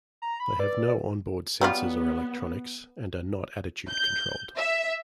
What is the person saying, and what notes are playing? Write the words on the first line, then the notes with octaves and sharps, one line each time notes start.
They have no on-board sensors or electronics, and are not attitude-controlled.
A#5
B5
B4 D5
F#3 G3 B3 F4
G6
E5